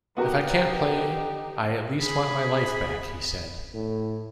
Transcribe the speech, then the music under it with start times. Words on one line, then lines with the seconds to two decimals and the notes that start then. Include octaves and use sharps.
"If I can't play, I at least want my life back", he said.
0.17 B3 D#4 F#4 G4 A#4
2.02 G#4 B5
3.74 A2